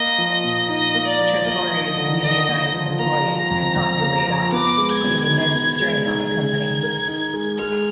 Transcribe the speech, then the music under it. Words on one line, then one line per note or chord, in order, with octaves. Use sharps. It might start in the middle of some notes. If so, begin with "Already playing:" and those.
Trattori's unionised employees could not be laid off, putting immense strain on the company.
Already playing: A#3 D#5
F3
D#5
A#2
D#4 D#5
A#3
D5
F3
A#3 D#5
F3
D3
D3 D#5
A#3
F3
A#3 A#5
F3
A#5
F2
F2
A#3
F3
B3 D6
G#3
G#6
B2
D#4
B3
G#3
D#4 G#6
G#3
D#3
A#4
D#4
G#3
G#3 F6